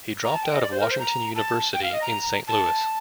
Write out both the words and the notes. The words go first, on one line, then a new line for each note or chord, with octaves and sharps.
He dropped out of Washington University in Saint Louis.
A#5
A5
G5
D#5
D5
C5
A#4
C5
A#5
A5
G5
F5
D#5
A#5
A5